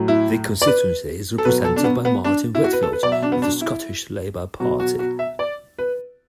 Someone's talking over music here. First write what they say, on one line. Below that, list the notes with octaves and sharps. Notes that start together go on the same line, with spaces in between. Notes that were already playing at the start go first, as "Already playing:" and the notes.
The constituency is represented by Martin Whitfield of the Scottish Labour Party.
Already playing: A2 F#3
E4
D5
B4
A4
B2 F#3 B4
A4
D4
B3
B3
D4
E4
F#4
B4
A4
B4
B2 F#3 D5
E5
D4
B3
D4
E4
B2 F#3 F#4
F#4
F#4
E5
D5
B4